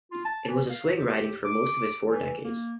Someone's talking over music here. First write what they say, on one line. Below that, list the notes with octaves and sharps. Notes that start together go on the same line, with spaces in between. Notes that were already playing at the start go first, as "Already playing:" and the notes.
It was a swing riding for most of its first four decades.
F4
A5
E3
F5
G4
D6
E3
A#3